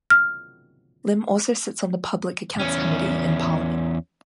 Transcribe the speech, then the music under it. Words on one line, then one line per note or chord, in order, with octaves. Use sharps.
Lim also sits on the Public Accounts Committee in Parliament.
F6
E2 C#4